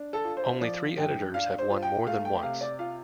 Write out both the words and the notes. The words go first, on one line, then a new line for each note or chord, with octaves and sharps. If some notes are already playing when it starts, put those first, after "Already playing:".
Only three editors have won more than once.
Already playing: D4
A4
F4
C5
F3 D5
G2 G5
D4 F5
C5
F4
G5
A3 F5
G5
C3 F5
D5
F4 F5